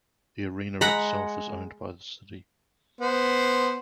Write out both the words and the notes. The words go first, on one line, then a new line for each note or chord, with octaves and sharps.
The arena itself is owned by the city.
G#3 F#5 A#5 B5
B3 C5